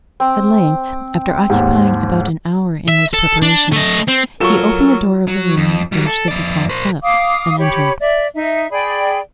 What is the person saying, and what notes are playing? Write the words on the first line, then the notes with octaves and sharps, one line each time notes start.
At length, after occupying about an hour in these preparations, he opened the door of the room in which the vicomte slept, and entered.
C4
D#2 G#2
E5
A4
D4
A3 D#5
C4
F#3 F4 A4 A#4 C#6 E7
F#3
F2
F#3 G3
A4
F2 D5
A#4 C5
F5 D6 D#6
G4 C#5 B5
D5 E5
D#4 E5
G#4 D5 G5 B5